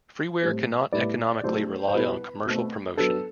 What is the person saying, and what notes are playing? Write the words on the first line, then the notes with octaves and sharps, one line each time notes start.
Freeware cannot economically rely on commercial promotion.
A2 G3 C4
A2 G3 B3 E4 D5
C3 F#3 A3 C4 E4 C5
C5
B2 G3 B3 E4 B4
B2 A3 C4
F#3 B3 D4 A4